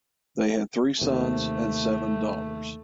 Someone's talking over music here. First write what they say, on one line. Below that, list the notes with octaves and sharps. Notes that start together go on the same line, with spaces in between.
They had three sons and seven daughters.
D#2 C3 A3